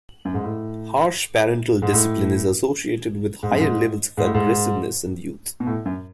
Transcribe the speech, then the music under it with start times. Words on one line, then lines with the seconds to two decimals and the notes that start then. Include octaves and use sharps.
Harsh parental discipline is associated with higher levels of aggressiveness in youth.
0.25 F#2
0.34 G#2
0.43 A2
1.82 G#2
1.93 A2
3.43 G#2
3.52 F#2
3.60 G#2
4.17 G#2
4.26 A2
4.34 G#2
5.60 B2
5.67 A2
5.85 F#2